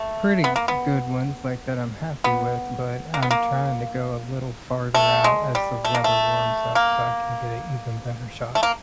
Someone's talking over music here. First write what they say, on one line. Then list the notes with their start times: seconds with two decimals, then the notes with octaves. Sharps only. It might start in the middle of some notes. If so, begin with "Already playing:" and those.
pretty n good ones, like, that I'm happy with, but I'm trying to go a little farther out as the weather warms up so I can get a even better shot.
Already playing: A3
0.44 B3
0.56 A#3
0.68 B3
2.24 B3
3.14 A#3
3.23 B3
3.31 A#3
4.94 A3
5.24 G#3
5.55 G3
5.85 A3
5.95 A#3
6.04 A3
6.75 A#3
8.55 A3
8.63 A#3